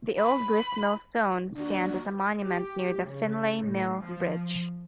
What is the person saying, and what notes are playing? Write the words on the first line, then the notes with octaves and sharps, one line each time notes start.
The old grist-mill stone stands as a monument near the Finlay Mill bridge.
B5
D#2 D#3 D4 F#4
G4
C#3
A2
F3